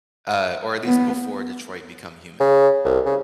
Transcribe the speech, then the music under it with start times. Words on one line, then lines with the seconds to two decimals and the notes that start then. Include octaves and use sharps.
uh, or at least before Detroit: Become Human,
0.86 B3
2.40 C#3
2.85 C2
3.06 C#3